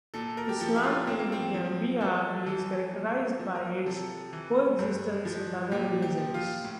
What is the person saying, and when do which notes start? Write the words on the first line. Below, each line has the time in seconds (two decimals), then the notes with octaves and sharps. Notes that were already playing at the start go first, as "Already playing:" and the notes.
Islam in the Gambia is characterized by its coexistence with other religions.
0.14 A#2 A4
0.37 A#4
0.49 G4
0.60 F3 A4
0.76 E4
0.84 F4
1.07 A2 C4
1.19 A#3
1.32 C4
1.54 F3
2.00 F2 A4
2.46 E3 A4
2.93 A#2
3.39 F3
3.55 A#4
3.86 C3 A4
4.33 E3
4.79 G2
5.25 F3
5.72 A#2 G4
6.02 G4
6.18 F3
6.34 F4
6.64 A2